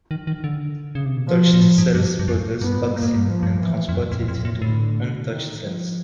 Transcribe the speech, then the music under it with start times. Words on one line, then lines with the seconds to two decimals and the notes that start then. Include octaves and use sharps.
Touched cells produce auxin and transport it to untouched cells.
0.11 D#3
0.27 D#3
0.44 D3
0.95 C#3
1.06 C3
1.17 B2
1.27 A#2 F3
1.53 A#2
1.62 A2
1.78 G#2
1.95 G2
2.19 G2
2.28 F#2
2.61 G2 B3
2.76 G#2
2.89 G2
2.95 A#3
3.03 G#2
3.16 G2
3.28 G#2 F3
3.43 G2
3.62 E3
3.89 F2
3.95 F#2 A#2
4.12 F2
4.28 F2 A2
4.45 A#2
4.62 A2 D3
5.29 D#3
5.62 F3